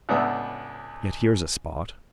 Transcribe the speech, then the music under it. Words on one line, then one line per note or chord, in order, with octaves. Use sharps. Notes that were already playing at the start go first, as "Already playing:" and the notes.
Yet here's a spot.
C#2 A2 B3 D4 E5 D#6